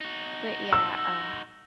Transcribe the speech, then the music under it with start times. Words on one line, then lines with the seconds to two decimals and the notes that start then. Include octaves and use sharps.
But yeah, uh
0.01 D#4 F#4
0.73 E6